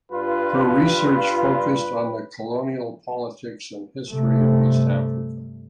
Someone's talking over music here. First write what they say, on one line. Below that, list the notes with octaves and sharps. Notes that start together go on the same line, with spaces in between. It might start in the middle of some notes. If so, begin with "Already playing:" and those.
Her research focused on the colonial politics and history of East Africa.
G2 F4 B4
G2 C3 A3